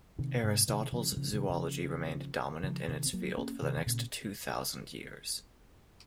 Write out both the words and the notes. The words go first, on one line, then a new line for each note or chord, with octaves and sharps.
Aristotle's zoology remained dominant in its field for the next two thousand years.
C3 D#3
G#2 C3
C3 D#3
C#3 F3
F#3
C#3 F3
C3 D#3
C#3 F3
C#3 F3
C3 D#3
C4
F#3 A#3
A#3 C#4
C3 D#3
D#3
A#2 C#3